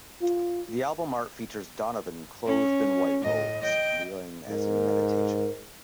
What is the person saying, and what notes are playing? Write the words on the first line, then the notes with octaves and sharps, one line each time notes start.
The album art features Donovan clothed in white robes, kneeling as in meditation.
F4
C#4
A2 D#5
D#5 G5
G#2 A#4